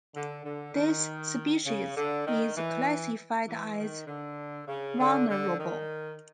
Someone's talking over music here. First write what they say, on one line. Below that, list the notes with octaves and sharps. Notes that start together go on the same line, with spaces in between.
This species is classified as vulnerable.
D3
D3
D#3
C#3
D3
D#3
E3
E3
D#3
D3
C#3
D3
D3
D#3